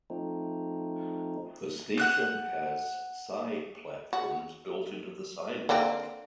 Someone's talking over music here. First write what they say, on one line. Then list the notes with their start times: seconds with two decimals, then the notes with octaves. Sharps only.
The station has side platforms built into the sidewalk.
0.10 F3 A3 C4 D#4
1.98 F#5 F#6 G6
4.13 F#4
5.69 D3 A#3 C4